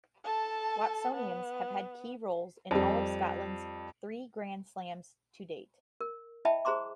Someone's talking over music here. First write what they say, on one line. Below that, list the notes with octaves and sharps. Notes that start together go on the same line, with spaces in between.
Watsonians have had key roles in all of Scotland's three Grand Slams to date.
A4 A5
B3
F2 G3
A#4
E4 D#5 E5 G5 A5 B5
G#4 C5 A#5 C6 D6